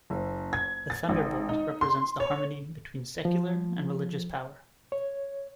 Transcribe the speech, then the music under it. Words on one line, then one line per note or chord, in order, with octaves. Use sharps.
The thunderbolt represents the harmony between secular and religious power.
F#1
G#6
A6
G#1
D#4
C6
C#5
F3
C#5